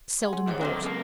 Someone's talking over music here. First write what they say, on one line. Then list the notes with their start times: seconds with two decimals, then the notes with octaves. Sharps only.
Seldom bought.
0.22 G#4 F#5 C6
0.33 C#4
0.47 G#2 E3 G3 G4 G#4 C#5
0.61 D3 D#3 F#3 C4 F#4 G#4 C5
0.82 C#2 G#3 A#3 A4